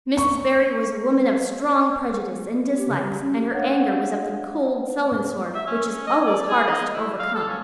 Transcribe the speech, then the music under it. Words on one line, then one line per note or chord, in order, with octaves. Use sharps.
Mrs. Barry was a woman of strong prejudices and dislikes, and her anger was of the cold, sullen sort which is always hardest to overcome.
C#6
C4
G4
C#3
G3
C#4
D4 C#5 F5 F#5
E5
C#4
C#4
D#5
D5
G#4
D#4
E4
F5
A4
C#4